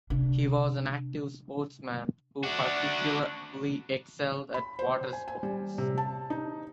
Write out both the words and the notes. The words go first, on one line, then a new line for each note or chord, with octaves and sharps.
He was an active sportsman who particularly excelled at water sports.
C3 D4
D4 F#4
B5
C5
G#5
G#5
G3
C3
A5
D#4